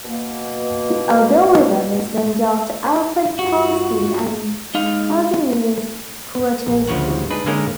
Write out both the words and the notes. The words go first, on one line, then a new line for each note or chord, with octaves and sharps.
The algorithm is named after Alfred Tarski and Kazimierz Kuratowski.
B2 A#3
G2 G3 F4 F#4
G#3 D#4 F5
A#1
D2 C#3 F3 C#5 F#5
D4 D#4 G#4 B4
D3 G#3 A#3 C#4 D#4 A#4